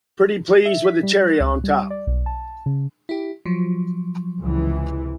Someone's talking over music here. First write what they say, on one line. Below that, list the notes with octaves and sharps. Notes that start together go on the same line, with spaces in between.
Pretty please with a cherry on top!
E5
B6
G3
F#6
C#2
G3
D5
B1
A5
C#3
E4 G4
F3 F#3
C#2 C3 E3